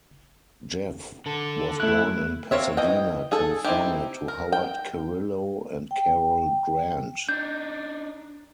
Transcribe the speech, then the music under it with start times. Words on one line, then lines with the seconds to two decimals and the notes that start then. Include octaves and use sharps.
Jeff was born in Pasadena, California to Howard Cirillo and Carol Grant.
1.26 D3 A4
1.80 A3 E4 F#6
2.51 A#3 C4 C#5 E5
2.77 E3 D#5 G5
3.32 G#4 A4
3.65 C4 D#4 E4 G4
4.28 A#4
4.53 G5
5.91 G5
7.29 D4 D#4 G6